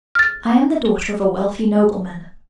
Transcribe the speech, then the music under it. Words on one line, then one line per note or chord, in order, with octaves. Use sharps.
I am the daughter of a wealthy nobleman.
F6 A6